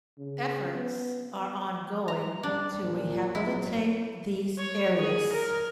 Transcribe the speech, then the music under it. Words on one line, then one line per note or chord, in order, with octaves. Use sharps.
Efforts are ongoing to rehabilitate these areas.
C#3
B3
A#5
G3 D4
G3
A#2
F#3 E4
C#5
G#4
A#4